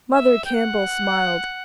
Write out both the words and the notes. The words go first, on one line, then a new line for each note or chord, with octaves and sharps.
Mother Campbell smiled.
E5
G5
F#5